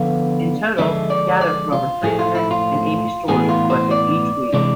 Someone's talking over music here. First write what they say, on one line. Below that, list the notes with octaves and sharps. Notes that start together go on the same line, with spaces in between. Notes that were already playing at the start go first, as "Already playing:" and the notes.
In total, data from over three-hundred and eighty stores are collected each week.
Already playing: D3 F3 B3 F5
D3 F3 G#3 D4 E5
D5
D5
F4
A2 F3 A3 G#4
F4
E4
F4
A2 E3 B3 G#4
F4
C5
D5
C3 E3 G#3 D4 D5